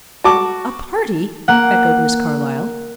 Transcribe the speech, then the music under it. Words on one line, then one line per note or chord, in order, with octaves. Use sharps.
"A party!" echoed Miss Carlyle.
F#4 A5 D6
A#3 F#5